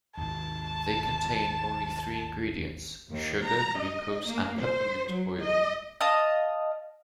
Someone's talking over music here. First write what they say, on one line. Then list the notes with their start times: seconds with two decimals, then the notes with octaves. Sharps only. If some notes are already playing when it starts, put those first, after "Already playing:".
They contain only three ingredients: sugar, glucose, and peppermint oil.
0.17 G#1 D#2 A5
3.09 D#2
3.44 A#5
3.79 D#5
4.26 A#3
4.61 C5
5.10 F#3
5.40 D#5
6.01 D#5 F5 A5 D#6